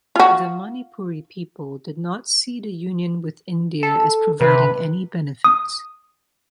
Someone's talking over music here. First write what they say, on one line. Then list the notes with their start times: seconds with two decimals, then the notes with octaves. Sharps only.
The Manipuri people did not see the union with India as providing any benefits.
0.16 F4 F#4
3.83 A4
4.41 C3 B4
5.44 D#6